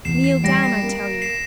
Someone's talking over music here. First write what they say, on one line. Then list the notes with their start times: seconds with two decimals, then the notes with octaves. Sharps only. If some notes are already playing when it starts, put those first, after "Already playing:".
Kneel down, I tell you.
0.05 E2 C7 E7
0.24 C7
0.44 G3 A#6 D7
0.63 C7 E7
0.82 A#3
1.22 C7 E7